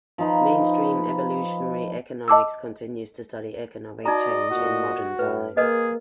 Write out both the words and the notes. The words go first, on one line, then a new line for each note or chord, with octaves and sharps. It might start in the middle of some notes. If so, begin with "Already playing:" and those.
Mainstream evolutionary economics continues to study economic change in modern times.
F3 D#4 B4
D#5 A5 D6 E6
D#4 F#4 D5 D#5 A#5
A#2 F#4
A2 B4
A#3 G#4 A#4 B4 D#5